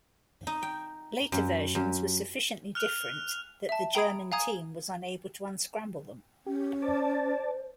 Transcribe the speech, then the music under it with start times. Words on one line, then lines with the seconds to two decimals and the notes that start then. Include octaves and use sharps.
Later versions were sufficiently different that the German team was unable to unscramble them.
0.47 D#4
0.63 G5
1.32 F#2
1.75 F#2
2.75 F6 F#6 F7
3.69 E5 A5
3.95 G5 A#5 B5 D#6 G#6 D7
4.32 F5 G#5 A#5 D#6 G#6
6.46 C#4 G4
6.82 C5 D5 A5